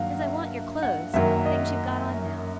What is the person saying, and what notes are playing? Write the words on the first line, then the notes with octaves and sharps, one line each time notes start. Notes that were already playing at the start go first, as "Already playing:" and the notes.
'Because I want your clothes--the things you've got on now.
Already playing: G2 D#3 F#3 A#3 F5 F#5
E5
F#5
F#2 D#3 F#3 A#3 E5
D#5